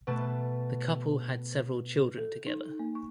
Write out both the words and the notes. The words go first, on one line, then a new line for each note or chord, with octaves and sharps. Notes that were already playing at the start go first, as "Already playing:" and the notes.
The couple had several children together.
B2 A3 B4 A5
A4
D#4
A#3
C#6